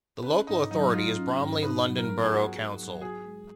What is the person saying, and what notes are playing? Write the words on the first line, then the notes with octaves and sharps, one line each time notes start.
The local authority is Bromley London Borough Council.
C#4 B4
G#2 D#4
F#3 D#4
D#4
F4 F#4
C#4
G#2
D#4 B4
F#3
A#4
B3
G#4
F#4 A#4
D#4
F#3
F#4 G#4
G#3